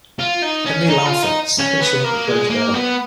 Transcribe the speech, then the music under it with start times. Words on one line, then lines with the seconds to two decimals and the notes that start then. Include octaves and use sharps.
Henry Lowther, second son of the first Earl.
0.19 F4
0.42 D#4
0.65 C#4
0.89 D#4
1.06 F4
1.23 D#4
1.58 C#4
1.80 B3
2.04 A#3
2.27 G#3
2.50 A#3
2.74 B3